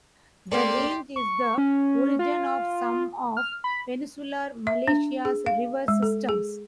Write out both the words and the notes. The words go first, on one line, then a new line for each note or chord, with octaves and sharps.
The range is the origin of some of Peninsular Malaysia's river systems.
A#3 C4 G4 A4 D5 C6
C#6
C#4
F4
F6
B5
E5
D4
G#4
F5
G#3
A4
G#4